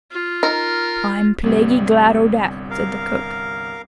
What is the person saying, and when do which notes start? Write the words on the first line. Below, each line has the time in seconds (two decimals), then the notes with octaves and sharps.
"I'm plaguy glad o' dat," said the cook.
0.11 F4
0.43 D#4 A#4
1.44 G1 C2 G3 C4
2.71 A#4 F5